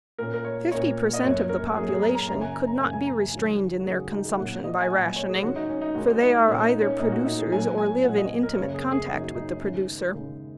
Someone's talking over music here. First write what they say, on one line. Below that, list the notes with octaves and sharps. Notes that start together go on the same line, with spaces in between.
Fifty per cent of the population could not be restrained in their consumption by rationing, for they are either producers or live in intimate contact with the producer.
A#2 A#3 C#4 A#4
A#4
C#5
A#2 A#3 C#4 C#5
D#5
F#2 F#3 A#3 C#4 C#5
A#4
F#2 F#3 A#3 C#4 G#4
G#4
A#5
A#5
F#2 C#3 A#3 C#4 A#5
G#5
A#5
A#5
F#2 C#3 A#3 C#4 G#5
G#5
A#5
G#5
D#2 C#3 F#3 C#4
F#4
D#2 C#3 F#3 C#4 G#4
F#4
G#4
D#4
G#4
A#2 F#3 A#3 C#4 F#5
D#5
G#5
A#2 F#3 A#3 C#4 F#5
G#5
C#5
G#4
D#2 D#3 G#3 C#4 F#4
D#4
C#4
D#4
D#2 D#3 G#3 C#4 F#4
F#4
D#4
A#2 A#3 C#4
D#4
C#4
A#2 A#3 C#4 D#4
F#4
D#4
G#4
A#2 F#3 C#4 G#5
G#5
A#2 F#3 C#4 F#5
D#5
A#4
F#2 C#3 A#3 C#4 C#5
G#4
G#4
F#2 C#3 A#3 C#4 D#4
F#4
D#4
D#4
D#2 C#3 G#3 C#4
D#2 C#3 G#3 C#4